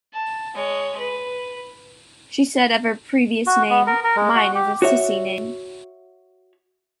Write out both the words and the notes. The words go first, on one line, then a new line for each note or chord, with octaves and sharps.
She said of her previous name: Mine is a sissy name.
A5
G#3 C#5
B4
F#4
B3
A#4
A#4
G#3
F#4
G4
F#4 C#5 E5